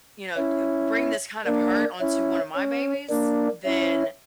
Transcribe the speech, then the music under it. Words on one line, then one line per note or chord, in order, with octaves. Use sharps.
you know, d bring this kind of hurt onto one of my babies, then,
C#4 E4
A#3 D4
C#4 E4
C#4
A#3 D4
C#4 E4